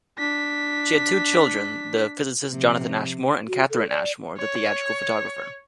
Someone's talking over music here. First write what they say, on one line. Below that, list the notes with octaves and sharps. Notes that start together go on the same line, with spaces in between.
She had two children, the physicist Jonathan Ashmore and Catherine Ashmore, the theatrical photographer.
D4 B6
C3 F3
F#4
A4
D5
C#5